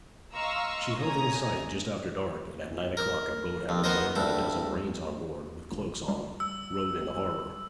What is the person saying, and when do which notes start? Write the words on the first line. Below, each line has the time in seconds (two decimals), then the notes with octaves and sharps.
'She hove in sight just after dark, and at nine o'clock a boat having more than a dozen marines on board, with cloaks on, rowed into harbour.'
0.34 D#5 F5 A#5 C6 C#6 E6
1.00 C2 A3 C#4 A#5 D#6 G#6
2.97 A#4
3.69 F2
3.84 B3 A#4 C5 D#5
4.16 D2 G2 E4
5.72 G1
6.08 G3
6.40 E6